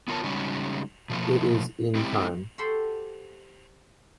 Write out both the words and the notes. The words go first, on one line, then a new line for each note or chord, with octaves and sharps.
It is in time.
B3 F4 A#4 C#5 A5
C#3 G3 G#3 C#4 D#4 F#4
B2 F3 F#3 A3 A#3
G#3 C4 E4 G4
F#4 G4 A4 C5 B5 C6